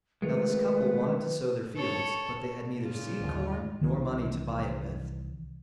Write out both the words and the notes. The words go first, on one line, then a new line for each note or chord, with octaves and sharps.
Now this couple wanted to sow their fields, but they had neither seed-corn nor money to buy it with.
D#3 G#3 A3 F4 B4
A4 C#5
A#2 C#3 F4
D#2 G#2 D3
C2 C3 D#3 E3